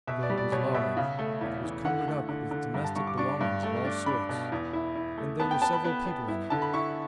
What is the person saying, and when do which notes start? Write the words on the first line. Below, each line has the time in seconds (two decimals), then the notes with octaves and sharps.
Though it was large, it was cumbered up with domestic belongings of all sorts, and there were several people in it.
0.07 B2 E5
0.23 D5
0.30 G3
0.38 D5
0.52 B2 C#5
0.74 B2 E5
0.97 C#3
1.19 A3
1.41 E2
1.63 E3
1.85 D3 F#5
2.08 A3
2.29 D3
2.51 D3
2.74 G2
2.84 A5
2.96 G2 C#6
3.07 D6
3.18 D4 C#6
3.41 G2
3.63 A3
3.85 D4
4.06 D4 B5
4.29 B2
4.52 E2
4.73 E4
4.95 E4
5.18 A3
5.40 B3 A5
5.51 G5
5.62 B3 A5
5.73 B5
5.84 B3 B5
6.06 B3
6.28 E4
6.50 D3 A5
6.62 B5
6.74 E4 C#6